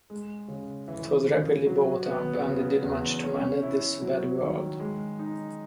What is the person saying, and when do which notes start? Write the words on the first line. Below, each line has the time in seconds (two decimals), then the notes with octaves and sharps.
It was rapidly bought up and did much to mend this bad world.
0.10 G#3
0.48 C#3
0.88 E3
1.28 C#3
1.66 F#3
2.06 B3
2.45 C#3
2.84 E2
3.24 C#4
3.63 E4
4.02 F#3
4.41 D#3
4.80 G#3
5.19 D#4